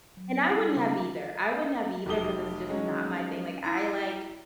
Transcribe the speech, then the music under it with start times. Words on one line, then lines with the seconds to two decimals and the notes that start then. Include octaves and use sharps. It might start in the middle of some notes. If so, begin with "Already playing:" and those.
And I wouldn't have either, I wouldn't have either ‘cause it's just not my thing. Like, I like
0.17 F#3
0.50 G3 E4 F4 F#5 C7
0.76 C#3 C#4 D#4 F5 G#5 D6
2.06 F1 F#3 G4 A5 D#6 G7
2.69 F#3 G#3 C#4 D#4
3.64 E4 A#5